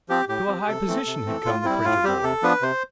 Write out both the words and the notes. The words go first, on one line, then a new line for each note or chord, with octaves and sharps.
To a high position had come the printer-boy.
F3 C4 G4
A2 G4
F3 C4
C3 A4
E3 A3 C4
C3
E3 A3 C4
A2 F4
G3 C4 E4
A2 F4
G3 C4 G4
C3 A4
F3 B3 D4 B4
C3 C5